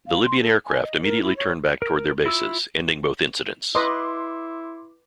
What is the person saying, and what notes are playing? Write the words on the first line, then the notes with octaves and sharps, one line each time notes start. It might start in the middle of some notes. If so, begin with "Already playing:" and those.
The Libyan aircraft immediately turned back toward their bases, ending both incidents.
F5
C6
A4
G#5
D#5
A#4
E4
C#5
A#4
E4 F4 E6
E4 B4 D#5 C6 D6